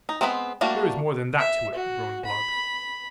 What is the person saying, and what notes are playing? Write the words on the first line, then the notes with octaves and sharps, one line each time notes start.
"There is more than that to it," groaned Blood.
D#4
G#3 B3 C4 F4 B4
G3 A3 A#3 D4 F#4
E5
F#4
B5